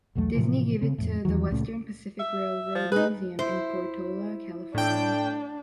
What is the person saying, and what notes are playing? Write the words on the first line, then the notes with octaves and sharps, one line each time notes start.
Disney gave it to the Western Pacific Railroad Museum in Portola, California.
B1 E2 F#3 A3
A2 C3 E3 F3
C#3 C4
F2 A2
E2 D#3 E3 F#3
C#2 A#2 A3 C#4
E5
F3
D#4 G#4 B4
E4 C5
A2 D4 G5